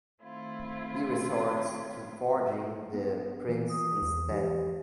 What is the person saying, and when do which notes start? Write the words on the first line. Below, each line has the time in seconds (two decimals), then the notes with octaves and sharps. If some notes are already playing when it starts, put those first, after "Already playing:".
He resorts to forging the prints instead.
0.23 D#3 A3 C4 E4 F4
2.93 B3
3.49 E3
3.70 D#6
4.02 E2
4.31 E3 G4